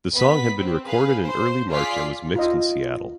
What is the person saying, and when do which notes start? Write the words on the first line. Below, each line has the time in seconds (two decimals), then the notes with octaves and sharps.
The song had been recorded in early March and was mixed in Seattle.
0.14 B3 B4 B5 B6
0.57 C4
0.85 G#4 B4 F5
1.23 C5
1.71 F4 G#4 D5 F6 B6 C7
2.36 F4 D#5